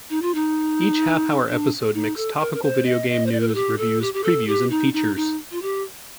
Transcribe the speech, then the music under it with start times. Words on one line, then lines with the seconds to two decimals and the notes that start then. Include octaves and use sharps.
Each half-hour episode mixed topical video game news, reviews, previews and features.
0.10 D#4
0.22 F4
0.34 D#4
1.48 D4
1.95 D#4
2.17 A4
2.35 A4
2.40 A#4
2.54 A#4
2.63 C5
2.86 D#5
3.09 D#5
3.26 C5
3.32 D5
3.40 A#4
3.48 A4
3.55 G4
3.78 A4
4.01 G4
4.14 G4
4.24 A4
4.47 G4
4.70 D#4
4.93 D#4
5.16 D#4
5.51 F4
5.62 G4